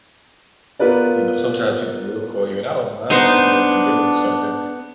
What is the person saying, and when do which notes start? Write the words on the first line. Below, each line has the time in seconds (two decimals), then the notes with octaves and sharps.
You know, sometimes people will call you and I don't mind that, you know, if you're dealing with something,
0.79 B3 F4 A#4 B4 D5
3.10 B3 D4 D#4 C5